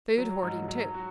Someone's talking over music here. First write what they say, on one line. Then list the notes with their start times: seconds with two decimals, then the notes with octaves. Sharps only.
Food hoarding, too.
0.17 F#3
0.43 G#2
0.68 F#3
0.94 F#4